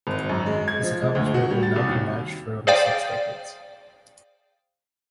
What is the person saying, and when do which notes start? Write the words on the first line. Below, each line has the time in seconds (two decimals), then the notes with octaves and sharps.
This accomplishment would not be matched for over six decades.
0.07 G#1
0.29 F#2
0.46 G#3
0.68 G#6
0.83 F3
1.01 G#3
1.15 D2
1.34 F#4
1.50 G3
1.63 A6
1.76 C2
1.88 D#2
2.67 G#4 C5 D5 F5 G5